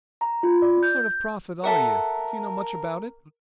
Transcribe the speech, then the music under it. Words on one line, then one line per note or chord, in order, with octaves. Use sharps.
What sort of prophet are you, do you know much about it?
A#5
F4
D5
G6
A4 A#4 E5 F#5